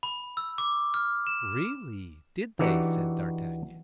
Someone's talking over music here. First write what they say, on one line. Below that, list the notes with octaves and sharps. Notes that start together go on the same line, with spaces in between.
"Really, did they?" said D'Artagnan.
B5
E6
D6
F6
E7
E3 D4 D#4 F#4 G4 F#5